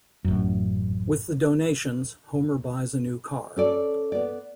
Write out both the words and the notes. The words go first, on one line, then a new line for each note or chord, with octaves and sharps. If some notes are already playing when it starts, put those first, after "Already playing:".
With the donations, Homer buys a new car.
A1 F#2
C#4 A4 D5
B3 D5